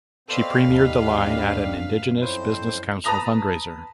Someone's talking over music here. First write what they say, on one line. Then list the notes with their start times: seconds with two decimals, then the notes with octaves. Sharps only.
She premiered the line at an Indigenous Business Council fundraiser.
0.28 B2 C4 A4 B4 C5 D5 F5
0.68 D#2 A2 D#3 G3
1.14 B2 D4
1.72 F#2
2.21 F2 E4 C5 C#5
3.04 B4 A5 A#5 D#6 A#6 F7